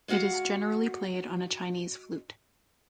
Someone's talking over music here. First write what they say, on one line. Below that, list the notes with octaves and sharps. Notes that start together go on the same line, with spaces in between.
It is generally played on a Chinese flute.
G#3 F#4 F5 F#5